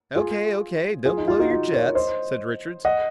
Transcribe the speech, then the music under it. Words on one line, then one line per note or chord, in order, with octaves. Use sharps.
"O.K.--O.K.--don't blow your jets," said Richards.
F4 G#4
F4 G#4
D#4
F4
D#4 F#4
F4
A#4 C#5
C5 D#5
D#5 F#5